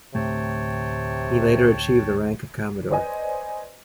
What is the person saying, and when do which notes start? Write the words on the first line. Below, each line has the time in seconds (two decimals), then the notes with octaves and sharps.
He later achieved the rank of commodore.
0.15 D2 A2 C3 A3 C#5 G5 A5
2.90 B4 C5 D5 D#5 G#5